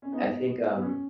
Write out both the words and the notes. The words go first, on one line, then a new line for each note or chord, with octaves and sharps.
I think, um,
C#4
B3 D#4
B3
C#4